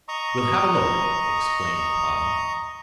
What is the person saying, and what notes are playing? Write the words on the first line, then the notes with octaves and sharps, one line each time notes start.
"We'll have a look!" exclaimed Tom.
D#5 A#5 C#6 D#6